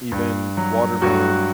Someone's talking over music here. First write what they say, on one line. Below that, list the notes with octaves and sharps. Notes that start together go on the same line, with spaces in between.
even watermelon
G2
F#3
G2 F#4